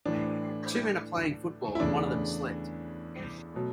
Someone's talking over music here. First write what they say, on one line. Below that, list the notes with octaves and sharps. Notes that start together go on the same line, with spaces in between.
Two men are playing football, and one of them has slipped.
A2 E3 A3 D4
E4
E2 C#3 E3 A3 D4
B2 F#3 A3